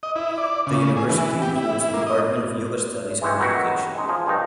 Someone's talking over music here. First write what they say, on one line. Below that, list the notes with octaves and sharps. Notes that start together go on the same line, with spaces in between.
The university includes the Department of Yoga Studies and Meditation.
D#5
E4
D5
C#3
G#4
E3
G4
E4
E4
A#3
D#5
E3 G#3 G4 C#5
B2 D#3 F#3 D#4 E4 F#4
G#3 C#4 D#4
F3 G#4
G2 D#3 D#4